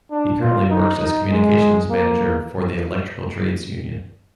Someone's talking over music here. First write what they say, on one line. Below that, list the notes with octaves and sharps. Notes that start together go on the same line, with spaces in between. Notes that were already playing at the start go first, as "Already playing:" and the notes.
He currently works as communications manager for the Electrical Trades Union.
D4
F4
D#4
D#4
G#3
A#3